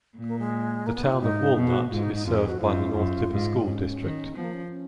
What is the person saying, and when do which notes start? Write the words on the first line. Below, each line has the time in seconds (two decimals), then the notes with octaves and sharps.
The Town of Walnut is served by the North Tippah School District.
0.16 A#2
0.27 A#3
0.39 G#3
0.87 A#3
0.95 B3
1.04 D#4
1.13 F4
1.20 G#2 D#4
1.57 B2
1.67 F#4
1.91 G#2 F4
2.03 D#4
2.14 D#4
2.26 F2 F4
2.37 G#4
2.49 F#4
2.60 F#2 F4
2.95 F#2
3.31 G#2
3.65 G#2 C#4
4.01 D#3
4.35 F3 B3
4.44 A#3
4.54 C#4
4.70 C#4